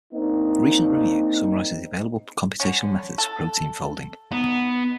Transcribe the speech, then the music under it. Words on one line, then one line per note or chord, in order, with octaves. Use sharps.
A recent review summarizes the available computational methods for protein folding.
A#3 C4 D4 D#4
D3 C#4
A4
B3 D#4